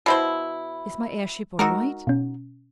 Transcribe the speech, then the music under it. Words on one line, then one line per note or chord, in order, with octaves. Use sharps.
"Is my airship all right?"
B2 E4 C5
G#3 D#4 F#4 A#4 E6
B2 C#4